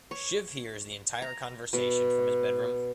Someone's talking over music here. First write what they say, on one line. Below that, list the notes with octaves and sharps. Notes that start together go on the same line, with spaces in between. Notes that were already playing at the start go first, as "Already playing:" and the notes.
Shiv hears the entire conversation from his bedroom.
C#5
A#5
B2